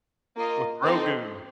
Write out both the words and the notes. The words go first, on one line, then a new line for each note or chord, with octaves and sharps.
With Grogu.
A#3 F4 A#4 D#5
C4 D#4 A4 C5 G5